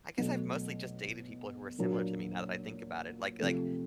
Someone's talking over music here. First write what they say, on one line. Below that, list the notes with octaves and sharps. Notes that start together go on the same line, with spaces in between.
I guess I've mostly just dated people who are similar to me now that I think about it, like like
B2 F#3 A3
A#2 F#3 A#3 D4 F#4
C3 F3 A3